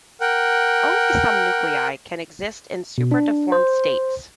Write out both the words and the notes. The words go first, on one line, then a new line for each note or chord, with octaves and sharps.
Only some nuclei can exist in superdeformed states.
A#4 F#5 G5
B2
D4
C5